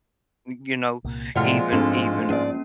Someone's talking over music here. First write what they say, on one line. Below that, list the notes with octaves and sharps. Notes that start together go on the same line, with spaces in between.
y you know, even even
C2 A#2
A2 C3 F3 G#3 F4 D5 F#5 F6
G#2 A3 C4 D4 A4
G#2 A#3 C#4 D5